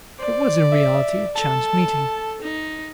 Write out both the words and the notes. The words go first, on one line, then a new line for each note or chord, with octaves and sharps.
It was in reality a chance meeting.
C5 D5
E5
A4 A5
D#4